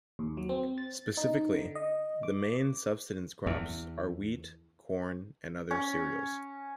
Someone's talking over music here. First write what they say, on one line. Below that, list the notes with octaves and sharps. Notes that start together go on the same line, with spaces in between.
Specifically, the main subsistence crops are wheat, corn and other cereals.
D#2
F#3
C4
A6
D#4
D3
D#5
D6
E2
C#4